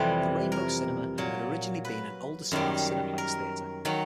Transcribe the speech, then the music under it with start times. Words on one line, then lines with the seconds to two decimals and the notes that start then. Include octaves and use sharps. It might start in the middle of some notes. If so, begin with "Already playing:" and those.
The Rainbow Cinema had originally been an older style Cineplex theatre.
Already playing: F2 C3 E3 G3 B4
0.52 A#4
1.18 A#2 F#3
1.85 B4
2.51 F#2 D#3 G3
3.18 A#4
3.85 D#3 F#3